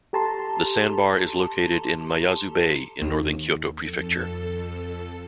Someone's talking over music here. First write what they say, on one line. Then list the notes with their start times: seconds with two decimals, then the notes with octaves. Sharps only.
The sandbar is located in Miyazu Bay in northern Kyoto Prefecture.
0.13 G4 A4 A5 A#5 C6
3.02 D#2
3.76 F2 A4